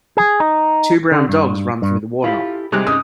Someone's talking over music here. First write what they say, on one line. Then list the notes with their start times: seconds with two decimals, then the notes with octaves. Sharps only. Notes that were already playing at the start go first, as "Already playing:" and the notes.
Two brown dogs runs through the water.
0.17 G#4
0.40 D#4
1.11 D3
1.29 G2
1.82 G2
2.24 E4 F4 G4 A4
2.72 C3 G3 G#3 D#4 G4 F#6
2.87 C#4 D#4 D#6